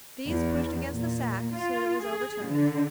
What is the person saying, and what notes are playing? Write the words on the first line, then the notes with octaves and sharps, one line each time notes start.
These pushed against the sack so that it was overturned.
E2
A#2
F4
G#4
D3